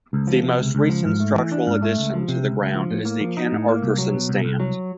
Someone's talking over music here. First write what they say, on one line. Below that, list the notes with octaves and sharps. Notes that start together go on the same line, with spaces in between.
The most recent structural addition to the ground is the Ken Arthurson Stand.
C#2
F3
C3
C#2
C#2
F3
G#2
A3
E3
D4
G#2
A3
C#2
F3
C3
C#2
C#2
F3
A2
A#3
F3
D#4
A2
A#3
C2
F#3
B2
C2
C2
F#3